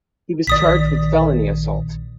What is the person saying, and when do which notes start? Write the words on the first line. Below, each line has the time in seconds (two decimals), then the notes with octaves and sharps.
He was charged with felony assault.
0.47 A#1 D#3 D5 D#6 B6